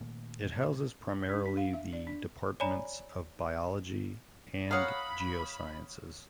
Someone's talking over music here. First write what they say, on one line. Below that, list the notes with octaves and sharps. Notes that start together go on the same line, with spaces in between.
It houses primarily the departments of biology and geosciences.
A#2 D#3 A3 A#3
D4
D4
F5
E5
D5
D4
C#5 D5 G#5 A#5 B5
C#5 F5 F#5 A#5 B5 D#6 F6